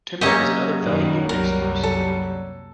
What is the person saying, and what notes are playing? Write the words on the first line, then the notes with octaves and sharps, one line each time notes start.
Timber is another valuable resource.
F#3 A#3 C#4 G4 D#5 E5 A#5
F#2 D#3 G3
C2 F#2 G3 A#4
A4